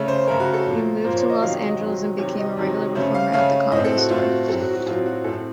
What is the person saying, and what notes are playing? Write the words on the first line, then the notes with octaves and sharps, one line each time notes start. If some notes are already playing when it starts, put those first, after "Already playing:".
He moved to Los Angeles and became a regular performer at The Comedy Store.
Already playing: C#3 A3 C#4
C5
C#3 A3 C#4 A#4
F#4
A4
A#2 F3 A#3
A#2 F3 A#3 C5
C#5
D#5
C3 D#3 F#3 F5
D#5
C3 D#3 F#3
C3 D#3 F#3 C#5
D#5
C3 D#3 F#3
C#3 A3 C#4 C5
F5
C#3 A3 C#4 F5
A2 A3 C4 D#5
A4
F#4
A2 A3 C4 F4
F#4
A2 F#3 C4 A4
F#4
F#4
A2 F#3 C4 F4
F#4
A2 A3 C4 A4